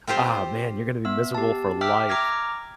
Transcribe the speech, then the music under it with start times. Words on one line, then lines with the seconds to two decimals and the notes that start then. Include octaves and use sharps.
ah man, you're gonna be miserable for life,
0.07 C4 F4 G4 C5
1.05 B3 E5 E6
1.35 G4 A5
1.81 E5 G5 D6 E6 F6 B6
2.09 A#5 D6 F6 G#6 A#6